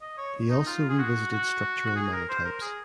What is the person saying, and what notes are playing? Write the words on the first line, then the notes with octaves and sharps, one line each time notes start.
He also revisited structural monotypes.
D#5
C#5
D#4
F4
G#4
F#4
F#4
F#4
G#4
A#4
C5
A#4
G#4